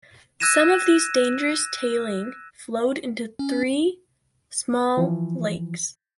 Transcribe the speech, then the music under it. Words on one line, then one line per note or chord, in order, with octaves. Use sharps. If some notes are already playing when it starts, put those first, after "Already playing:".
Some of these dangerous tailing flowed into three small lakes.
E6 F#6 G#6 A#6 D#7 E7
C#4
E3 F3